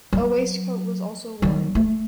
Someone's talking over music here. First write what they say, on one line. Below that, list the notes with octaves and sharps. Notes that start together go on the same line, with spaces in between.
A waistcoat was also worn.
F#3
D#3 F#3
A3